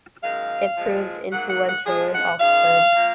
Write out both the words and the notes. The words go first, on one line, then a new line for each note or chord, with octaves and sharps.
It proved influential in Oxford.
F#2 D#3 G#3 F5
A#2 F3 G#3
G#2 F#3 A#3 F#5
F#5
F#5
F2 F3 G#3 G#4
F#5
F#2 D#3 G#3 F5
F3 A#3